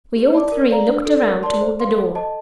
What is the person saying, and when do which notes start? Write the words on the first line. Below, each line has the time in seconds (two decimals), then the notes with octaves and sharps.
We all three looked around toward the door.
0.15 G4
0.33 D5 A5 D6
0.52 A#4
0.70 D5 F5 A#5
0.87 D4
1.05 A4 D5
1.25 A#4
1.43 D5 A5 C6
1.61 C5
1.80 F5 C6
1.98 A4
2.15 D#5 A5